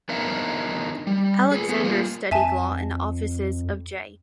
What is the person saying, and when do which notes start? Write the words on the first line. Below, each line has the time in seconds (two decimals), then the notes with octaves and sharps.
Alexander studied law in the offices of J.
0.09 B3 D4 D#4 A#4 E5 F5
1.07 G3
1.51 G#4 B4
1.69 B3 G#4 B4
1.84 G3 A#3 F4
2.31 F2 E5 G#5 A5